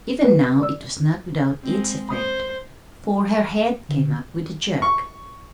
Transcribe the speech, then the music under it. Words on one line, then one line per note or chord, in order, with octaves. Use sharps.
Even now it was not without its effect, for her head came up with a jerk.
B4
D5 E6
G#3 C4
C5 B5 D#6
D3
C#6